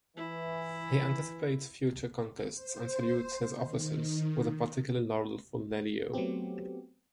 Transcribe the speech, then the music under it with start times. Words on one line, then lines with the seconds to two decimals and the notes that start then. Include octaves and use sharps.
He anticipates future conquests and salutes his officers, with a particular laurel for Lelio.
0.16 E3 E4
2.54 C5
3.57 D#3
6.13 F#3 A3 B3 C4 G4